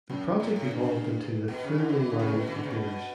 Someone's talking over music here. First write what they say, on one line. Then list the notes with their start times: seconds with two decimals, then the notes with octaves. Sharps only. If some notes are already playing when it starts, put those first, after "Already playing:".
The project evolved into the Foonly line of computers.
0.10 F#2
0.40 A2
0.56 A2
0.71 G2
1.48 B2
1.63 C#3
1.78 D3
1.89 E3
1.99 E3
2.10 D3
2.19 C#3
2.30 B2
2.47 E3
2.55 D3
2.63 C#3
2.71 B2